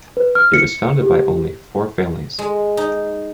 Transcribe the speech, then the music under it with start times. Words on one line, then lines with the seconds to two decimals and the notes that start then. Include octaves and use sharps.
It was founded by only four families.
0.17 B4
0.35 F6
0.54 C#7
1.02 G4
2.39 G#3
2.77 D#4